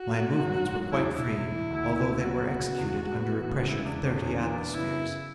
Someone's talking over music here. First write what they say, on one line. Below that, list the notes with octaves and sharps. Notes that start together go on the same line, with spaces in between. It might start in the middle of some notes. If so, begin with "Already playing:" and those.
My movements were quite free, although they were executed under a pressure of thirty atmospheres.
Already playing: F#4
A3
D4
F#3
G#2
F#3 F#4
E4
E2 D4
B2 E4
E2
E3
D2
C#3
D2
F#3 F#4
B3
C#3
E2
G#3
B3
E3
C#3
G#3 E4
E2 D4
D3 D4
E2 C#4
E3 D4
B3
C#3 E4